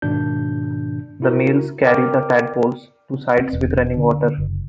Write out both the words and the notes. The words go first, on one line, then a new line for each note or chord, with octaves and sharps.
The males carry the tadpoles to sites with running water.
G#2 B2 D#3 D4 G6
E4 F#4 A#4
A#4 D5 G5 D6 F6
C4
E1
D3
F#1